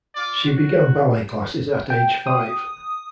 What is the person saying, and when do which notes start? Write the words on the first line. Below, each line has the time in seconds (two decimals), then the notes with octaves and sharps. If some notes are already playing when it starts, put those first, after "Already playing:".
She began ballet classes at age five.
0.14 F4 D5
0.48 F#4
1.90 G5
2.27 D#6